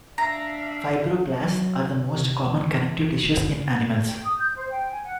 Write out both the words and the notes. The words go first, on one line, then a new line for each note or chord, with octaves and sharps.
Fibroblasts are the most common connective tissues in animals.
D4 E5 F5 A#5
F#3
C3
E3
G5
D#6
G6
C5
G5
G#5
F#5